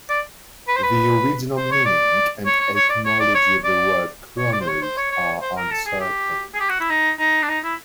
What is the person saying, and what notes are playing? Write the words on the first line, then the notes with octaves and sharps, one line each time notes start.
The original meaning and etymology of the word "chronos" are uncertain.
D5
B4
C5
B4
C5
C#5
D5
C#5
C#5
C#5
D5
C#5
D5
C#5
D5
C#5
D5
C5
C#5
C5
C#5
C#5
C5
A#4
A4
G#4
G4
G#4
G4
F#4
E4
D#4
D#4
D4
D#4
E4